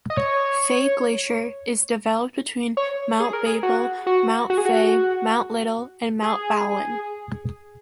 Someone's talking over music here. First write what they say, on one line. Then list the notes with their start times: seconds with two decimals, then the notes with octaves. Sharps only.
Fay Glacier is developed between Mount Babel, Mount Fay, Mount Little and Mount Bowlen.
0.10 D#5
0.17 C#5
2.77 C#5
3.20 G#4
3.33 A#4
3.46 G#4
3.63 F#4
4.07 F#4
4.50 F#4
4.58 G#4
4.66 F#4
6.22 G#4